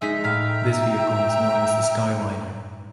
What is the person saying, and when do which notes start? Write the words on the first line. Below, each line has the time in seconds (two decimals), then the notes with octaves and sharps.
This vehicle was known as the Skyliner.
0.02 G#3 D#4 E5 B6
0.24 A2 F5 G5 A#5 B6